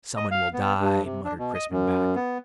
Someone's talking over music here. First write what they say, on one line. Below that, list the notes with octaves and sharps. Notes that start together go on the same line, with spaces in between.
"Someone will die," muttered Crispin back.
D#5
F5
B3
G2
C3
D4
B2
D#5
F#2
B3